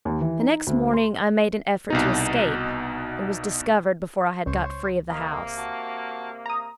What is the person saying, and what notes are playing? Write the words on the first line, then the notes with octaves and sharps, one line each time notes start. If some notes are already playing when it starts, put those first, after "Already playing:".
The next morning I made an effort to escape, and was discovered before I had got free of the house.
D#2
E3
D#4
D2
C6
C2 B2 D#4
C#2 C5 C#5
C3 A#3 A#4 D#5
F#4 A5
A#5 D#6